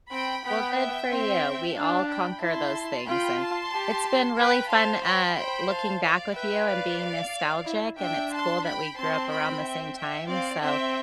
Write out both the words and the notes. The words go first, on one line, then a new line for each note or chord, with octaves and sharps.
Well, good for you, we all conquer those things, and it's been really fun, uh, looking back with you and being nostalgic, and it's cool that we grew up around the same time, so,
C4 G5 B5
B3 G5 B5
E5 G5
C4
D4 F5 A5
G5 B5
E4 A5 C6
F4 G5 B5
A5 C6
G4
B4 G5 B5
C5 F5 A5
G5 B5
C5 G5 B5
F5 A5
D5 F5
B4 E5 G5
D5 F5
E4
D4 E5 G5
A5 C6
G5 B5
C4 A5 C6
G5 B5
E5 G5
E5 G5
C4 D5 F5
C4 E5 G5